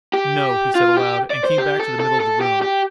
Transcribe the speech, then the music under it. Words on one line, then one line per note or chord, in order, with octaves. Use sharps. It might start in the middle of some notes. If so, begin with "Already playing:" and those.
"No," he said aloud, and came back to the middle of the room.
G4
F4
G4
D5
C5
G4
A4
A4
A4
G4
G4